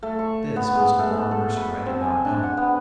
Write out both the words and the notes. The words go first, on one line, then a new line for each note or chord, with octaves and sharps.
This was a Warren Mercer I did not know.
A3
C#6
B3
G#3
A3
A4
B5
C4
G#5
D4
F#5
B3